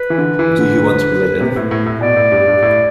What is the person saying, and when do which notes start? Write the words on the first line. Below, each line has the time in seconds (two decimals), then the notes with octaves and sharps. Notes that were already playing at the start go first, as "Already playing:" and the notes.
Do you want to be let in?
Already playing: B4
0.10 E3
0.18 D3
0.39 E3
0.59 D3
1.41 C3
1.56 A2
1.71 A2
1.86 A2
2.01 B2 D5
2.16 A2
2.32 G2
2.47 G2
2.62 A2